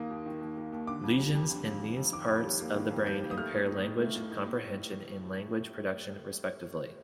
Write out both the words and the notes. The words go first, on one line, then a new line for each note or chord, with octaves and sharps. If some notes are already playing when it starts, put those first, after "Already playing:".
Lesions in these parts of the brain impair language comprehension and language production, respectively.
Already playing: D#2 D#3 A#3 D#6
D#2
D#3
D#2
A#3
D#2
D3 D6
F2
G3
F2
D3
F2
G3
F2
D#3 D6
F2
G3
A#3
D#3
F2
G3 G6
A#3
D#6
A3 F6
A2
D#4
A2
A3
A2
D#4
A2